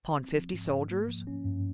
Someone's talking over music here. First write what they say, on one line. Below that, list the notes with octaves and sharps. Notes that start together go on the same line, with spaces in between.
"Upon fifty soldiers?"
C4
F3
G#2
G#2
A#3
F3
C#4
G2